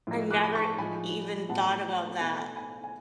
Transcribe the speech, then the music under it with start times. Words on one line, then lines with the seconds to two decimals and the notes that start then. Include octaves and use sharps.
I never e even thought about that.
0.07 A2 F3 G#3
0.31 D6 F#6
0.44 B5
0.55 A5 C#6
0.78 A2 F3 G#3 G#5 B5
1.49 A2 F#3 B3 F#5 A5
2.20 B2 A3 G#5 B5
2.56 G#5 B5
2.84 G#5